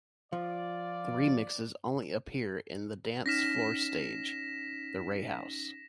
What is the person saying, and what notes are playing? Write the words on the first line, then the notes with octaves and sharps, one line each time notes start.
The remixes only appear in the Dance Floor stage, The Ray House.
F3 F4 D5
C#4 D#4 F6 A#6 B6 E7